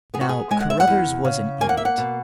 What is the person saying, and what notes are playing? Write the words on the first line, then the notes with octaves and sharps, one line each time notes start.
Now, Carruthers was an idiot.
B3 G#4
F#4
G#4
G#3 G#5
F#5
E5
F#5
E2
C#3
A#3 G#5
F#5
E5
F#5
B2